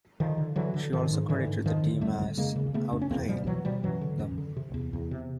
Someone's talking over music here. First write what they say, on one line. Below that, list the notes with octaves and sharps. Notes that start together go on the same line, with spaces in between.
She also credited the team as "out playing" them.
D3 D#3 F3
D3
D3 E3 F#3
D3
G#2 D#3 F3
G#2
G#2 D3 E3
G#2
F2 D#3 F3
D3
F2 G3 A3
D3
C#3 G#3 A#3
C#3
C#3 A3 B3
F2 D4
C#4
E2 A#3 C4
B2 F3 G3
B2 E3 F#3
B2 F3 G3
F#2 E3 F#3
D3
F#2
D3
C3
E2
E2
C3